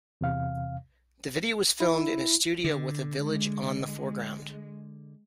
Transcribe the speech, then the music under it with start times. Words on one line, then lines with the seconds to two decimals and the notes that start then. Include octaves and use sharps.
The video was filmed in a studio with a village on the foreground.
0.21 E2 C3 F5
1.80 E4
2.64 D3
3.18 G#3